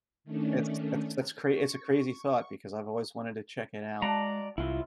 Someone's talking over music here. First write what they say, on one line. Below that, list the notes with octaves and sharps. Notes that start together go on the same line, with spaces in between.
It's that's that's cra it's a crazy thought because I've always wanted to check it out.
D#3 A3 C#4 D4
C#6
G#3 F#4 D5 F5 A5 A#5
C2 E3 F#3 E4 F4